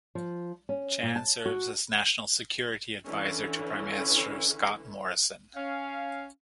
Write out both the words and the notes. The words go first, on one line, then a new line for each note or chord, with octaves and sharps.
Chan serves as National Security Adviser to Prime Minister Scott Morrison.
F3
C#4
A#2
A5
F#4
D3 E3 C#4 E4
C#4 F5